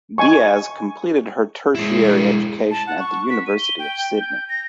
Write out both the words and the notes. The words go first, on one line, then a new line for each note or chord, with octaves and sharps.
Dias completed her tertiary education at the University of Sydney.
D#5 G#5 C#6
G#3 E4
A5
F#5
C#6
B6
D#7
G7
G5
G6
A#6